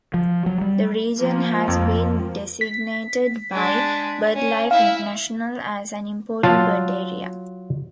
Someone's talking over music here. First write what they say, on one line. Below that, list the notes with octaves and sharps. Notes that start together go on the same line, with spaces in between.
The region has been designated by Birdlife International as an Important Bird Area.
F3
F#3
G3
F3 A#3
F2
B6
G#3 D4
C#4
E4 E5 F5
F#3 F4 F5 A5